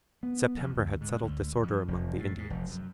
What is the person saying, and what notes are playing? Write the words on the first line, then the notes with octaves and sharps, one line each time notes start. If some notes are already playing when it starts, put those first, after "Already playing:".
September had settled disorder among the Indians.
B3
F2
D2
G#2
D2
F2
F1
A2
G#2
F1
F#2